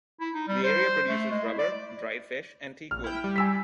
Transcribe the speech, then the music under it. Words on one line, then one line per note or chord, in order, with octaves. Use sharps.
The area produces rubber, dried fish, and teakwood.
E4
D#4
G3
C5
A3
G#3
E4
D5
A#1 F6
E4 G5
G3
G#5 E6 B6